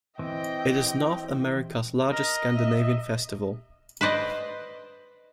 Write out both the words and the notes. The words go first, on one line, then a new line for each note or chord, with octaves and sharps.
It is North America's largest Scandinavian festival.
E3 C4 D#5 G5
A#4 D#5
E5
B4 C5 D5 D#5